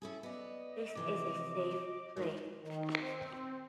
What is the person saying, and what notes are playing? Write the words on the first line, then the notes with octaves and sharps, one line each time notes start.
This is a safe place.
C#4 E4 G#4 A4
B3 D5 D#5
C3 E3 F3 D6
D#3 G#3
D#3
C4